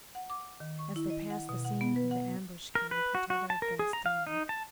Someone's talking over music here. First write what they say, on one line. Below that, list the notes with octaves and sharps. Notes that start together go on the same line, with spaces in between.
As they passed the scene of the ambuscade he told her of Gaston.
F#5
D6
D#3
C#6
E4
D#5
F#5
B2
F#5
B3
B4
F#5
A#4
B4
F#4
F#4
A5
A#4
G#4
A#5
F5
D#4
A5